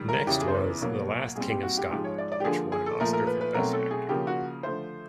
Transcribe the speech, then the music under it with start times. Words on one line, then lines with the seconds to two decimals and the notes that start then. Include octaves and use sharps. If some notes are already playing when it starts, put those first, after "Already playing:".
Next was "The Last King of Scotland", which won an Oscar for best actor.
Already playing: G#2 D#3 G3
0.09 A#4
0.27 E2 C#3 E3 G4
0.41 G#4
0.48 C5
0.55 B4
0.81 B2 F#3 A#3
1.36 A#2 G3 C4 G#4
1.50 G4
1.63 F#4
1.77 G4
1.90 G#2 F3 G#3 G4
2.04 C#5
2.18 D5
2.32 D5
2.40 G4
2.45 D3 F3 A#3 G#4
2.72 G#4
2.86 A4
3.00 A#2 F3 A3 A#4
3.13 A#4
3.27 B4
3.41 B4
3.54 B2 F#3 A3 C4 A#4
3.73 A4
3.91 G#4
4.09 C#3 F3 A#3 G4
4.27 F#4
4.63 D3 F3 A3 C5